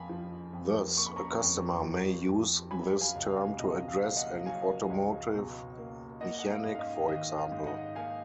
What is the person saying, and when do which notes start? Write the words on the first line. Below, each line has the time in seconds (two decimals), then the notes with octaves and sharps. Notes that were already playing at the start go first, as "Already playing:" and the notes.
Thus, a customer may use this term to address an automotive mechanic, for example.
Already playing: F2 A#3 F5 G#5 B5
0.09 F3
0.53 F2
0.97 A#3 C#6
1.06 B5
1.16 A#5 C#6
1.41 F2
1.83 F3
2.28 F2
2.71 F#3 G#5 B5
3.01 F5 G#5
3.16 C#2
3.30 F5
3.58 B2 D#5
3.88 F5
4.03 A#3
4.16 D#5 F#5
4.45 F#3 F5 G#5
4.90 C#2
5.34 B2
5.77 A#3
6.20 A#3 D#5 F#5
6.39 F#5
6.50 F5
6.65 G#2
6.75 F5
6.79 D#5
6.97 F5
7.08 D#3 D#5
7.37 F5
7.52 G#2
7.66 D#5 F#5
7.95 A#3 F5 G#5